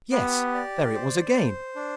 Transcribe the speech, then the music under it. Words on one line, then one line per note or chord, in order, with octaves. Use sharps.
Yes, there it was again!
B3 G4
D5
C5
C5
D4